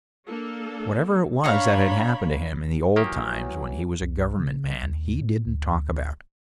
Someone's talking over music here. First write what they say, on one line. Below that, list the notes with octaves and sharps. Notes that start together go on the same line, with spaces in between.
Whatever it was that had happened to him in the old times when he was a Government man he didn't talk about.
A#3 D4 A4
D4 C#5 F5 A#5 B5 C#6
D#3 E3 F#3 A#3 G4
C2
C#3
D#2
A2
D2